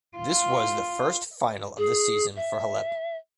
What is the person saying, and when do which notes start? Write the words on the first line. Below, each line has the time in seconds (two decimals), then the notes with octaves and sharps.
This was the first final of the season for Halep.
0.18 F4
1.78 G#4
2.36 E5